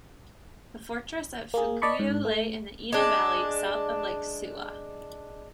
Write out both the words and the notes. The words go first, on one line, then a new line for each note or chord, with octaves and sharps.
The fortress at Fukuyo lay in the Ina valley, south of Lake Suwa.
A#3 G#4
D5 D#5 A5 B5 C#6
G#2
A3
G#3 D4